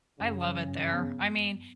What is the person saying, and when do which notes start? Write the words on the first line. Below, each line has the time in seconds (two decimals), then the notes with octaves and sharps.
I love it there, I mean
0.19 F#2 C#3
0.45 F#3
0.68 G2
0.93 B3